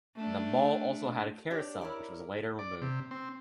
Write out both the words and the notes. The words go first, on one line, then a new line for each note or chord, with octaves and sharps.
The mall also had a carousel, which was later removed.
A3 D4
D4 G4 C#5 D5
E4 A#4 C#5 D5
D5
C3
C4